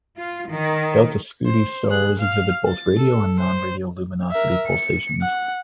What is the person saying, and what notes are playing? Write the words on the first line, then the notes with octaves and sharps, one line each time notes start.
Delta Scuti stars exhibit both radial and non-radial luminosity pulsations.
F4
D#3
C5
G#4 F#6
F5 F6
A6
A4
C5
A#4 E5
C#7
F#5